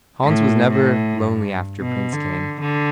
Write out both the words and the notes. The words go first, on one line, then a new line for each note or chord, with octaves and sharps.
Hans was never lonely after Prince came.
A2
A2
G2
B2
D3
D3